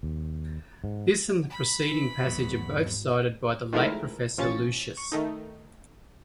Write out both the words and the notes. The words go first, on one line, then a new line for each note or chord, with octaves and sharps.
This and the preceding passage are both cited by the late Professor Lucius.
D#2
G#2
B5
E3
G#1 E2 G#2 F#3 B3
D#3 F3 G#3 A3 E4 A#4
A1 F3 C#4 C#6 A6
C#6
D#3 A3 D#4